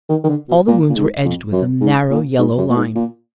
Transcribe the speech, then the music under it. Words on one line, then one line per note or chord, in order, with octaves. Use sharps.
All the wounds were edged with a narrow yellow line.
D#3
D#3
D3
B2
A#2
A#2
G#2
F2
F#2
G#2
A#2
G#2
F#2
A#2
G#2
A#2